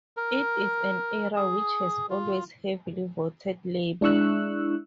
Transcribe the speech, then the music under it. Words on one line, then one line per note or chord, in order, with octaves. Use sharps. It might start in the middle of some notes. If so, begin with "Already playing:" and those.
It is an area which has always heavily voted Labor.
A#4
G#4
F4
G#3 D4 E4 C#6 E6 F#6